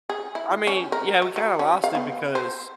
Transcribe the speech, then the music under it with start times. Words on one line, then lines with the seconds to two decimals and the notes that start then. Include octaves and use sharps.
I mean, yeah, we kinda lost it because
0.10 G#4
0.35 E4
0.67 C#4
0.92 A#4
1.22 F#3
1.36 F#3
1.59 C#4
1.84 F5
1.95 B3
2.35 C5